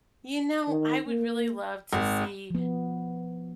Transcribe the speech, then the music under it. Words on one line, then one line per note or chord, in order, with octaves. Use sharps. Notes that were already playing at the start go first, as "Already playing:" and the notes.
You know, I would really love to see
D#3
A#3
G#1
F3 B3